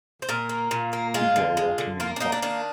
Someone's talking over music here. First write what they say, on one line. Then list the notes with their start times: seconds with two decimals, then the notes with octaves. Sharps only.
People are walking in the park.
0.22 C5
0.29 A#2 A#4
0.49 A#3
0.71 A#2
0.93 A#3
1.14 G#3 F4
1.36 D3
1.57 G#3
1.78 D3
2.00 A#3 F4
2.16 D4
2.20 A#3 D#4
2.32 D4
2.42 D#3 D4